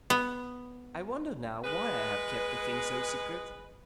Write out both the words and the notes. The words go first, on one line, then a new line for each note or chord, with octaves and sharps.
I wonder now why I have kept the thing so secret.
B3
G#3 B4